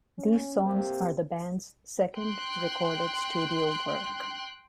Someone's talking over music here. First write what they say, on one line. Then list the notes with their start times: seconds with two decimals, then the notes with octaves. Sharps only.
These songs are the band's second recorded studio work.
0.18 C#4
0.63 A#3 C4 G4
2.17 G5 C6 F#6